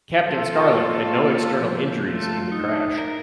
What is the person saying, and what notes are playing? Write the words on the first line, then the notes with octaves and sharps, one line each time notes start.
Captain Scarlet had no external injuries in the crash.
F3 F4 A4
A#3
A#3
F3
A3 F4 A4
D4 D#4
A#4